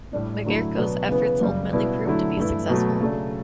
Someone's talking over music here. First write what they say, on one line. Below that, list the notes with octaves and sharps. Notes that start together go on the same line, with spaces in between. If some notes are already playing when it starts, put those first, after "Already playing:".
Magerko's efforts ultimately proved to be successful.
A2 G3 D4
D3 F#3 A3 E4
B2 F#3 B3 D4
C#3 E3 B3
F#2 C#3 G3
B2 G3 B3 E4
D3 F#3 A3 E4
G2 E3 A3 E4
B2 F#3 A3
C#3 F#3 A3 D4